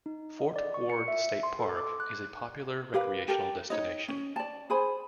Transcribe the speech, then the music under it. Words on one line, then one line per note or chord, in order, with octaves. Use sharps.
Fort Ward State Park is a popular recreational destination.
D#4
D#5
D5
C#6
C#7
E5
C6
A4
D6
F#6
G4 A#4 B4 F5
G4 A4 A#4
D#4 C#5 D#5
C#4
D5 A5
G#4 C5 G#5 B5